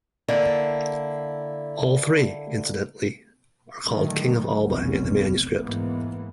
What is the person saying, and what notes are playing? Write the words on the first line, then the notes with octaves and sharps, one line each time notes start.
All three, incidentally, are called "King of Alba" in the manuscript.
D3 A#3 E4
A2 D3 D#3 F#3 G#3 A3
F1 B1 E2 B3 C#4
G#2 E3 A#3 B3